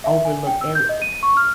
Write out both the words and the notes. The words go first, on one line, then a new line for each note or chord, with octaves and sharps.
overlooked every, uh
E5
G#5
G5
E6
G6
D#5
D#7
C#6
F6